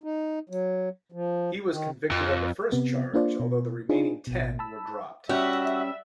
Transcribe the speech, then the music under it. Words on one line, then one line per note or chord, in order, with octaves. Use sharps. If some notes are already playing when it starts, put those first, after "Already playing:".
He was convicted on the first charge, although the remaining ten were dropped.
D#4
F#3
F3
D#3
F2
C3 B3
A#3 D4 F4 C5 D5
B2
D4 D#4 F4 G#4
A1 B2
A5 B5 E6
G3 C#4 F#4 E5